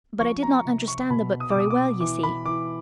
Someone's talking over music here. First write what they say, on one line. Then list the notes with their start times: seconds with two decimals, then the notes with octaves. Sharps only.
But I did not understand the book very well, you see.
0.20 F3 C#6
0.43 A#5
0.65 C3
0.88 C#6
1.10 B2 B5
1.40 D#6
1.50 D6
1.55 B2 D#6
1.70 D6
2.00 E3 D6
2.23 B5
2.46 E3 D6